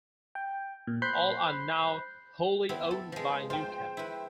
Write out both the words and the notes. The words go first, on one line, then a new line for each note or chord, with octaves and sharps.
All are now wholly owned by Newcap.
G5
A#2
C5 B5 F#6 G6 C7
B3 C4 E4
A4
F3 G#3
F4 C5 G5
E4 B4